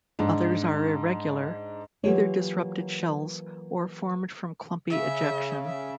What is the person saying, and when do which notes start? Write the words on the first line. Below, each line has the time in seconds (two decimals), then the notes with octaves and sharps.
Others are irregular, either disrupted shells or formed from clumpy ejection.
0.19 G#2 D4
2.04 E3 F#3 A#3 F4 G4 C#5
4.90 C#3 E5
5.66 E5